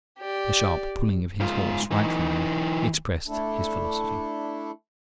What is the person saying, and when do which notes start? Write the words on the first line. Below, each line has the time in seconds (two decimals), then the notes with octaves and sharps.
The sharp pulling of his horse right round expressed his philosophy.
0.19 G4 D5
1.40 G#2 F4
1.91 E3 D#4
3.27 A3 D4 E4 A4